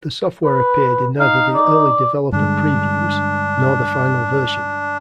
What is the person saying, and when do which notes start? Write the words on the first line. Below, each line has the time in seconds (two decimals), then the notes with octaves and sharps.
The software appeared in neither the early Developer Previews nor the final version.
0.45 B4
1.20 D#4 F5
1.55 D5
2.32 G2 D3 G#3 D4